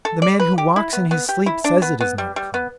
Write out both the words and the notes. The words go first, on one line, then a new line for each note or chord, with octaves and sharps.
The man who walks in his sleep says it is not a club.
A4
D5
B4
G4
E4
B3
B3
G4
E4
D4
B3
B3
G3
G3
B3